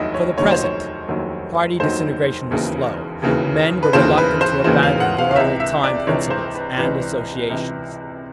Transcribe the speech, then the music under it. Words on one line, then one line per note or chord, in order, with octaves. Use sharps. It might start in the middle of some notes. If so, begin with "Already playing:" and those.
For the present, party disintegration was slow; men were reluctant to abandon their old-time principles and associations.
Already playing: F1 D#2 D#3 F#3 D#5 E5
C#5
F1 D#2 D#3 F#3 C#5
C5
C#5
F1 D#2 D#3 F#3
F1 D#2 D#3 F#3 C5
E1 D#2 C#3 E3
E1 D#2 C#3 E3
B4
E1 D#2 C#3 E3 C5
B4
C5
E1 D#2 C#3 E3 C5
F5
F#5
F5
F5
C#2 C3 E3 E5
E5
D5
C#2 C3 E3 C#5
C5
B4
C#2 C3 E3 B4
C#2 C3 E3